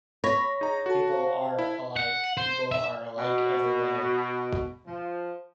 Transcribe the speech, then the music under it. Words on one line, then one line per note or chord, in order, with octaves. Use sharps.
People "are" alike... people are alike everywhere!
C#5 B5 A#6
D#4 G#4 A#5
F#4 A4 A5
C5 F5 A5
E4
F#5
C5
E5
B2
F3